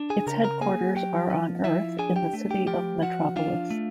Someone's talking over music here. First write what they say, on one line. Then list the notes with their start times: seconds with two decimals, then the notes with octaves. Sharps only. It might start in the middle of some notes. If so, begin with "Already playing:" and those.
Its headquarters are on Earth in the city of Metropolis.
Already playing: D4
0.10 G#4 G#5
0.27 C#3 A#4 A#5
0.44 A#4 A#5
0.61 A#3 G#4 G#5
0.96 F#3 G4 G5
1.30 F3
1.64 F3 E4 E5
1.98 D4 G#4 G#5
2.16 G4 G5
2.34 A3
2.50 G4 G5
2.67 F3 G4 G5
3.02 F3 F#4 F#5
3.36 D4 F4 F5
3.71 A3